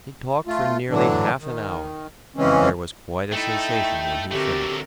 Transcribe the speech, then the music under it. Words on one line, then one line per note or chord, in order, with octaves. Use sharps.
He talked for nearly half an hour, and there was quite a sensation when he finished.
A3 F4
A2 D3 E3 F#3 D4
D#3
C#3 E3 G#3 C4 C#4
A3 D#4 E4 A4 G5
D3 F#3 A3 C4 G4 A#4